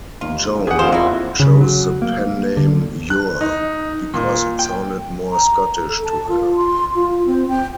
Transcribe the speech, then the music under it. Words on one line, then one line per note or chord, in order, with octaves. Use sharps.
Joan chose the pen-name "Ure", because it sounded more Scottish to her.
D#2 F4
A#1
G4 G#4 F#5
F2 A#2 C5 F5 E7
F#3 E4 F#4
C#3
F#3
A#3
D3
F#6
D#4
A#2
G5
A#5
A4
A5
F4
C6
F4
C4
G5